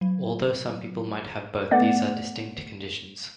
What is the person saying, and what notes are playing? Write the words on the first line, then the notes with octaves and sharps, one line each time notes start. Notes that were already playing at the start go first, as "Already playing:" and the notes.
Although some people might have both, these are distinct conditions.
F#3
A3 B3 D5 F#5 A6